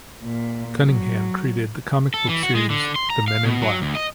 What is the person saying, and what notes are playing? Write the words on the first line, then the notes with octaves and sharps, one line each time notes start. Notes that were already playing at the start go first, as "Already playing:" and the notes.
Cunningham created the comic book series "The Men in Black".
A#2
F#3
A4
E3
F#4
G#3
D3
C6
A#5
F5
B2
F#3
D2
D#5